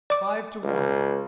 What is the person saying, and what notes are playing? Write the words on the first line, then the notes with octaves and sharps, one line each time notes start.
Five to one!
D5 D6
C#2